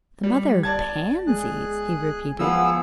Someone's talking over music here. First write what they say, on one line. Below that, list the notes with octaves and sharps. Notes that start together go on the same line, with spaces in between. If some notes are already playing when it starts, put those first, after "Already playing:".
"The Mother of Pansies!" he repeated.
G3
G1 D5 A5 G#6
G#3 G#4 F#6
F3 B3 G#4 F5 F#5 E6